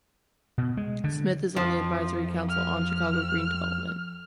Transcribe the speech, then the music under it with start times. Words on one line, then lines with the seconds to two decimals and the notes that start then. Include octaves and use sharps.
Smith is on the Advisory Council on Chicago Green Development.
0.58 B2
0.77 G#3
1.04 D3
1.56 F2 F3
2.48 F6